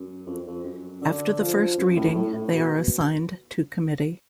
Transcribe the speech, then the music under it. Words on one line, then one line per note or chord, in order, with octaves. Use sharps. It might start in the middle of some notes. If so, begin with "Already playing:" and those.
After the first reading, they are assigned to committee.
Already playing: F#2
F2
F2
F#2
D3
F3
F#2
A2
A2
A2
B2